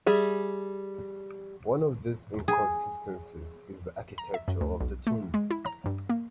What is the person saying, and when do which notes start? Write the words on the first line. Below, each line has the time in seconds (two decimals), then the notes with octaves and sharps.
One of these inconsistencies is the architecture of the tomb.
0.06 G3 G#4 E5
2.48 G#4
4.18 A#5
4.34 E5
4.48 F#2
4.61 D2
4.81 B1
5.07 A3
5.34 G#3
5.51 E4
5.66 A#5
5.86 G2
6.09 A#3